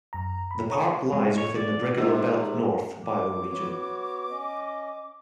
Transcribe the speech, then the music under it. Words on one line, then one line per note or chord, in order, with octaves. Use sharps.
The park lies within the Brigalow Belt North bioregion.
F#2 A#5
B5
C#5 A#5 B5 C#6 D#6
G#3
C#5
D5
G#2 C3
D6
B3 F#4 C#5
C#4 D#5